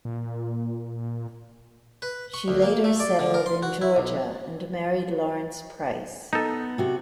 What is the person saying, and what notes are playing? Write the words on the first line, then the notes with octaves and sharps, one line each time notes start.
She later settled in Georgia and married Lawrence Price.
A#2
B4
C#6
D2
A#3
A3
D5
D3
A#4
C6
F#4
E4
B1
B3 D#4 A4
C3 F#4